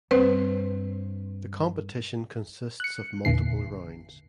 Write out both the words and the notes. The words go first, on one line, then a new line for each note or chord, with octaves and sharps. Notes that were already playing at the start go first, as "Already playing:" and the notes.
The competition consists of multiple rounds.
G2 C4 B4 C5
F#6 C#7
A1 E2 A#2 D3 C7